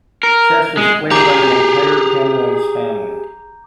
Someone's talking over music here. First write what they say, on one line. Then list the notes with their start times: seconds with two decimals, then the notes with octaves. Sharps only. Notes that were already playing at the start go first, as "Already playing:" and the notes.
Chess was played by the entire Penrose family.
0.23 A#4
0.77 G#3
1.11 G4 G#4 A#5 D6 G6